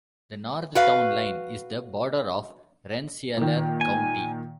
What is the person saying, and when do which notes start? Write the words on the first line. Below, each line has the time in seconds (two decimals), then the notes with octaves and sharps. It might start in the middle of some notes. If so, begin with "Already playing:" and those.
The north town line is the border of Rensselaer County.
0.75 F#4 B4 F5
3.37 A#2 D#3
3.81 G#5